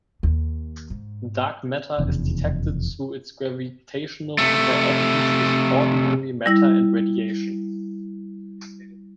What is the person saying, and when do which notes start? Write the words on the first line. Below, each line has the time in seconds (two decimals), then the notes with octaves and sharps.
Dark matter is detected through its gravitational interactions with ordinary matter and radiation.
0.23 D#2
0.90 G#2
1.98 F1 E2 C#3 D4
4.38 C3 A3
6.46 G3 E4 A#6